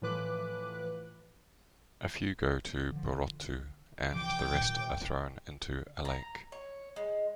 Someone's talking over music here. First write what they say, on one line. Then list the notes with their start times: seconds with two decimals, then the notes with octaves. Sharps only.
A few go to Burotu, and the rest are thrown into a lake.
0.02 A2 E3 F3 B4 D6 F#6
2.92 D3 F3
4.13 C3 E3 F3 G5 D6
4.53 A#2 D#3 G3
6.05 A#5
6.52 C#5
6.96 G#3